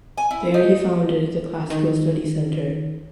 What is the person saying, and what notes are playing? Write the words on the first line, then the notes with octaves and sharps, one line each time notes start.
There he founded the Classical Studies Center.
G#5
E4
D#4
D#3